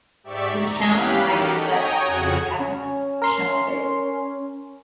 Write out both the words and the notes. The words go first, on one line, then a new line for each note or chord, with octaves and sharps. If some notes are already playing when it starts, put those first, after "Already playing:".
The town lies west of the capital Dushanbe.
G#2 G4 D5 E5 C#6
A#5
E3 C#4 G4 F5 F#6 B6
D#4 F#4 G4 A4 A#4
C#5 G5 G#5 A#5 D#6
F2 C#3 F#4 F#5 G#6
C#4
A#4 C6